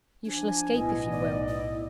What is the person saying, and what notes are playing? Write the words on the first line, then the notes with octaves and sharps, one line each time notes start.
You shall escape, if you will.
F3 D4 G#5
B1 A2 B3 E4 D#5 G#5
D#4 D5
E4